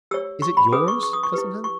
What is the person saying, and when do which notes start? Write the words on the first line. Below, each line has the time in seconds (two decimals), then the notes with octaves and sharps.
"Is it yours, Cousin Helen?"
0.11 G4 C#5 E6
0.42 C#6
0.57 B5
0.72 C#4 G#4 B4 D#6
0.88 C#6
1.03 C#6
1.13 D#6
1.23 C#6
1.33 E4 G4 B4
1.64 C#6